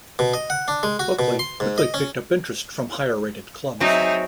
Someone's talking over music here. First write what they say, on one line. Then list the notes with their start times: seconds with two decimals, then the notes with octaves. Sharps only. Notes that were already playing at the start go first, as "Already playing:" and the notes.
Buckley quickly picked up interest from higher-rated clubs.
0.19 B2
0.34 D#5
0.50 F#5
0.68 D4
0.83 G#3
0.99 F#4
1.19 B2
1.39 C6
1.60 G#2
1.78 D#5
1.94 C#4
3.80 F#3 C4 D#4 G#4 E5